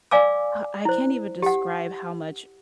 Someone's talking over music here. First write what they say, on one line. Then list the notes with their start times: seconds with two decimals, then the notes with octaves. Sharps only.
I I can't even describe how much
0.11 D5 F5 G#5 D6 E6
0.85 E4 C5
1.42 G4 F#5